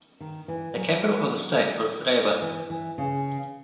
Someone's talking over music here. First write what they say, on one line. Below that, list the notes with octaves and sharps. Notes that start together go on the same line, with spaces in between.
The capital of the state was Rewa.
D#3
E3
F#3
E3
E3
C#3